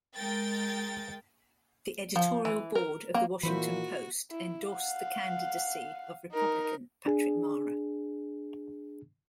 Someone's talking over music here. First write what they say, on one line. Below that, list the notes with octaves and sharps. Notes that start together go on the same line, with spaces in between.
The editorial board of The Washington Post endorsed the candidacy of Republican Patrick Mara.
G#3 A#4 G5 A6
F3
E3
A#4
A#3
A#2 E3 E4 F#4 C5 B5
E4
F5 F#5
D#4 A#4
D4 G#4